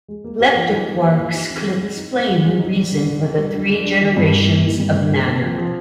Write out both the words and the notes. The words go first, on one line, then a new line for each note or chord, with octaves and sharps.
Leptoquarks could explain the reason for the three generations of matter.
G#3
A#3
G4
F3
D#4
A#3
G4
F3
D#4
C4
G#3
G#3
D#4
C4
G#3
G#3
D#4
G3
D3
D3
D4
G3
D3
D3
D4
D#3
G2
G2
A#3
D#3
G2
G2
A#3
C4
F3
F3